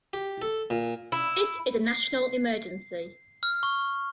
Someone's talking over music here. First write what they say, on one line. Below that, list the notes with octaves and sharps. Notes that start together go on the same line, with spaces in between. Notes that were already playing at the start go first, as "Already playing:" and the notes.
This is a national emergency.
G4
A4
A#2
E4
C7
F6
C#6